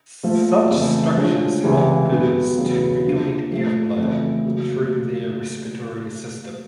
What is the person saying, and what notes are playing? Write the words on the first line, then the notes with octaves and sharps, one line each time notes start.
Such structures help birds to regulate air flow through their respiratory system.
A#2 F3 A3
F2 C#3 E3 A3
D3 F3 G#3 C#4
C#2 C3 E3 G#3
G2 D3 F#3 B3
E2 C#3 F#3 B3
D3 F3 A#3
A2 F3 A3
F2 C#3 E3 A3
C#3 F#3 A#3